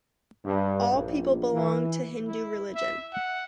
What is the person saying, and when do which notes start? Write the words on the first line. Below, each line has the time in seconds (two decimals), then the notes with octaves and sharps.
All people belong to Hindu religion.
0.45 G2
0.91 A#1
1.53 E3
2.28 E4
2.75 E5
3.13 F#5